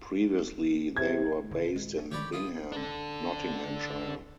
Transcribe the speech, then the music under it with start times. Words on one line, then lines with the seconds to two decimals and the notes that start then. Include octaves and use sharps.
Previously they were based in Bingham, Nottinghamshire.
0.97 C3 G#6
1.51 D#1 D3
1.76 G#3
1.98 A3 C#4
2.11 D3 D#3 F3 G#3 G4 C#5 D5 B5
2.33 E4 F4 D#6
2.72 D4 A4